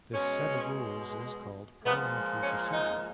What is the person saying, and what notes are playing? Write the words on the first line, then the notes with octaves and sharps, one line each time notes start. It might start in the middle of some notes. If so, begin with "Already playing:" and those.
This set of rules is called parliamentary procedure.
B2 G#3 C#4
A#2 F3 G#3 B3
C#4
D#4